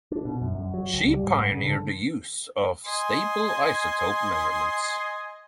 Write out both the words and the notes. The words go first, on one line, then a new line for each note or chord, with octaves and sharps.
She pioneered the use of stable isotope measurements.
D4
B2
F#2
F#2
F#3
C#2
G3
G#2
G#2
C#3
D3
D#5 G#5 C6